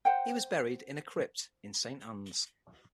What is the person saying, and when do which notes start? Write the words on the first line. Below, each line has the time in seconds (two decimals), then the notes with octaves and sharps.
He was buried in a crypt in Saint Anne's.
0.05 C5 F#5 G5